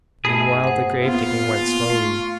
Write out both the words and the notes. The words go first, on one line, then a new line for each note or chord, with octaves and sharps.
Meanwhile the grave digging went slowly.
G2 A3 D#4 G#4 E5 A5
B2 C5 F#5
A#3 B3 F4 F5
A3 F5 C6 C#6